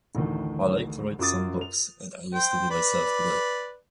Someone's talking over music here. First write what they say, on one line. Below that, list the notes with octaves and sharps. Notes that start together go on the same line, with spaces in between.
I like to read some books, and I used to be myself today.
A1 D2 A2 D#3
F#2 F4 D6 D#6 A6
F7
C5 G5
B4 D5